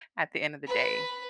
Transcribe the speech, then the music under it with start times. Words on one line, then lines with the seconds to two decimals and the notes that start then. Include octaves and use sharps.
at the end of the day.
0.67 B4